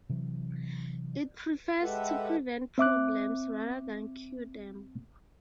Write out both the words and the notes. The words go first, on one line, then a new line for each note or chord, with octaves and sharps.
It prefers to prevent problems rather than cure them.
C3 E3 F#3
G#3 G4 A4 B4 E5 F#5
C4 E5 D6 F#6